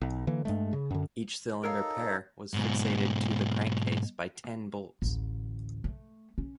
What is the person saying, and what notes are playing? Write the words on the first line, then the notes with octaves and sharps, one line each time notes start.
Each cylinder pair was fixated to the crankcase by ten bolts.
B1
D3 E3 A#3
G2 G#3 A3
C#3
F#2 D3
D#4 A4 A#4 C#5 F5
G#2 B2
A1 D2
A3
C#4